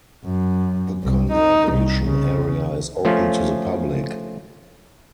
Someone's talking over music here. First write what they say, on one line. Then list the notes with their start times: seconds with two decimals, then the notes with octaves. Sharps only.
The conservation area is open to the public.
0.25 F#2
1.03 C2
1.32 D#4
1.73 C2
2.05 C#3
3.05 F3 A3 C#4 F4